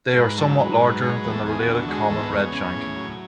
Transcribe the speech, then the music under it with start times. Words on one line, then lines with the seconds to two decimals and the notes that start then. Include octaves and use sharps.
They are somewhat larger than the related common redshank.
0.16 G#2 B4
0.38 F#3 A4
0.59 G#2 B4
0.80 F#3 B4
1.02 G#3 C#5
1.16 B4
1.24 E2
1.31 A4
1.46 E2 G#4
1.59 F#4
1.67 D3
1.74 F#4
1.88 G#3 F#4
2.10 E2 A4
2.23 B4
2.31 E2 C#5
2.52 C#3
2.74 A2
2.96 F#3